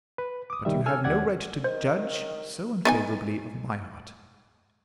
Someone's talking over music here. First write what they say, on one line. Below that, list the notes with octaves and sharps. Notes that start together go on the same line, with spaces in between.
But you have no right to judge so unfavorably of my heart.
B4
D6 D#6
C2 D#3 G3 E5
A4 G#5 E6 F6
D#2 G4 D5 F#5 G#6
D#3 C5
B3 D#4 G#5